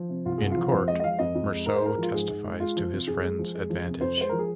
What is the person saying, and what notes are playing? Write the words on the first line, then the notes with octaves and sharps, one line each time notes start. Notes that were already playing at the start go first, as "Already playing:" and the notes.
In court, Mersault testifies to his friend's advantage.
Already playing: F3
C3
C2 F4
C2 G#4
F4
F3
F2 C5
G#3 D#5
D#5
F3 F5
F2 D#5
F2
G#3
G#2 A#4
C5
G#3 A#4
F3 F4
G#2 G#4
G#2
G#3
G#3 F4
F3
C3
F2 G#4
G#3
F3
G#3
F3
C3
F2 C5
G#3 C5
F3 A#4
G#4